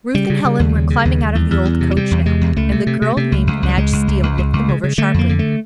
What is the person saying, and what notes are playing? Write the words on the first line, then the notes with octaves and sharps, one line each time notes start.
Ruth and Helen were climbing out of the old coach now, and the girl named Madge Steele looked them over sharply.
C#3 G3
C#3
C#3
D#2
C#3
C#3
D#2
D#2
E2
E2
E2
C3
F#3
C3 G3
E2
C3 G#3
E2
C#2 A3
C3
C3
C3
C3
C#2
C#2
C#2
G3
C#2 G#3
C#2
C#2
C#2
C#2
C#2
C#3
C#3
D3 A3
F2 A#3
D3
A3